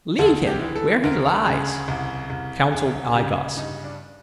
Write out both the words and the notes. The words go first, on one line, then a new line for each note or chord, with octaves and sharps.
"Leave him where he lies," counseled I-Gos.
D2 A4
G4
E3
A4
D2 A#4
C#3 G#4
C2
C2
D2 G#4
C#3 G4
G2 D#4
D4